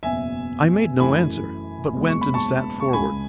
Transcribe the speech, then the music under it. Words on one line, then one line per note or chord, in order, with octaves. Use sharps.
I made no answer, but went and sat forward.
F#1 E2 B2 E5 G#5
F#2 E3 A3 G#5 B5
F#1 E2 B2 G#3
C#6
B5
A5 C#6
C#6
C#2 C#3 G#3 G#5 B5